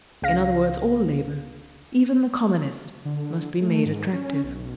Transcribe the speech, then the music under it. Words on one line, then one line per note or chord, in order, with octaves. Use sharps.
In other words, all labour, even the commonest, must be made attractive.
C#2 C#3 F5 A#6
D3
A3
G#2
C#4
B1